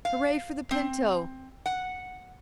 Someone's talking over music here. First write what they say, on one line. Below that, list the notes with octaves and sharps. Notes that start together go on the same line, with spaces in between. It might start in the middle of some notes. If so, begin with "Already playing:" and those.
"Hooray for the Pinto!"
F5
C4
F#5